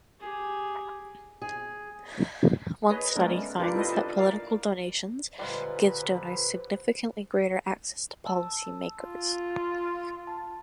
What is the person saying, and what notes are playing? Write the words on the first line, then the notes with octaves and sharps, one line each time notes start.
One study finds that political donations gives donors significantly greater access to policy makers.
G4 G#4
G#4
G#4 B4 C#5 D#5
G#3 A3 B3 C#4 D4 A#4
C4 D4 F4 G4 A#4 B4
E4 F4 A4 B4 D#5
D4 E4 A5
A#4 D5 F5
A#2 D3 G3 G#3 F4 B4 C5
A5 E6
F4
A5